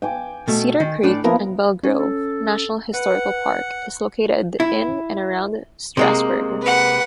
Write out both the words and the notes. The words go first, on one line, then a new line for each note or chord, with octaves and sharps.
Cedar Creek and Belle Grove National Historical Park is located in and around Strasburg.
G5 G#5 D6
B2 A3
D#3
A2 D4 D5
F3 A#3 B3 E4 A#4
C#4
A4
B4 F#5
E4
C3 G#3 A#3
B4 F#5